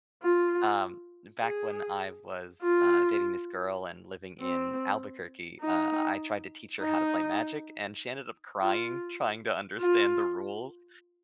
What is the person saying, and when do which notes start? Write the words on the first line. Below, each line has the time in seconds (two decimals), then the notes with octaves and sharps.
Um, back when I was, uh, dating this girl and living in Albuquerque, uh, I tried to teach her how to play Magic, and she ended up crying trying to understand the rules.
0.23 F4
1.42 G#4
2.62 F4
4.42 C4
5.61 D#4
6.81 D#4
8.61 F4
9.80 F4